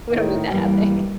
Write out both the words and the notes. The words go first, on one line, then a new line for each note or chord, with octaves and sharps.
We don't need that happening.
A2 D#3
G2 E3 G3 A#3 B4 G5